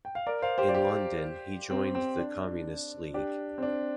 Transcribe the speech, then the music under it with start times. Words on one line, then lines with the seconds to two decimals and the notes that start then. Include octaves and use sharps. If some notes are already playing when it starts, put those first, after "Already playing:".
In London, he joined the Communist League.
0.05 G5
0.15 F5
0.27 A#4 D5
0.42 C5 F5
0.58 G4 C5
0.69 D5
0.74 G4 C5
1.70 C4
1.95 C4
2.19 D4
3.14 D4 G4
3.58 C4
3.63 D4